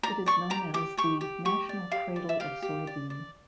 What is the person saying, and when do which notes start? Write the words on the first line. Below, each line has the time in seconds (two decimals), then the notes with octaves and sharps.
It is known as the "National Cradle of Soybean".
0.03 D5 A#5
0.26 D5 C#6
0.50 G4 A#5
0.74 G4 D6
0.97 G4 C#6
1.21 G4
1.45 G4 C#6
1.69 D5
1.92 G4 F5
2.16 D5
2.29 E5
2.40 G4 F5
2.62 G4
2.87 D5
3.10 D5